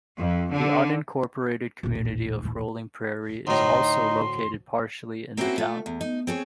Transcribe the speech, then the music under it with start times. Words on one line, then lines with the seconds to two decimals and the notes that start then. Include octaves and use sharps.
The unincorporated community of Rolling Prairie is also located partially in the town.
0.18 F2
0.52 D3
1.83 D#1 A1
3.47 D2 A2 D#4 C6
5.37 A#3 C4 C#4 E4 F#4
5.58 A3 F4
5.86 E2
6.01 D#4
6.27 C4 G#4 A4 C#5